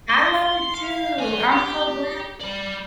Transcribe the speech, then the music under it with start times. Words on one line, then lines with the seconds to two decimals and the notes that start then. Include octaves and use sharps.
I love it too, I'm so glad.
0.10 C6
0.74 F5
1.19 B4 G#5
1.51 G4
2.40 D5 B5